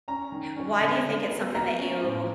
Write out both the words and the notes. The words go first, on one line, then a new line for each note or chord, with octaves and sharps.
Why do you think it's something that you
C#4 A#5
D#3
C#4
D3
D3
B3
A#3 A#5
C#4
A2